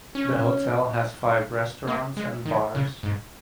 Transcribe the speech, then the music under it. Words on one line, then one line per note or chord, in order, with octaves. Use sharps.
The hotel has five restaurants and bars.
C#4
A#3
G#3
D#3
C#3
G#2